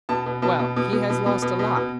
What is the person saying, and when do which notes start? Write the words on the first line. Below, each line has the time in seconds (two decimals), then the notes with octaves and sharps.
Well;--he has lost a lot.
0.09 B2 A5
0.26 B2
0.42 B2 A5
0.59 B2
0.76 B2
0.92 B2
1.10 B2
1.26 B2
1.42 B2
1.59 B2
1.77 B2